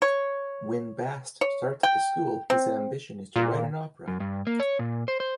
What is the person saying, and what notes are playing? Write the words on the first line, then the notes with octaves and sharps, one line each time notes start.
When Bast starts at the school his ambition is to write an opera.
C#5
C#5
G5
C4
A#2
F#2
G2
A#3
C#5
A#2
C5
C5